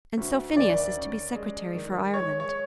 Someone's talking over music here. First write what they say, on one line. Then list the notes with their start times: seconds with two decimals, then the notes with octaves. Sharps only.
And so Phineas is to be Secretary for Ireland!
0.17 D2
0.57 D#3 D5
0.96 C#4
1.35 G#3
1.75 D#3
2.14 G#3 C#5
2.40 C#5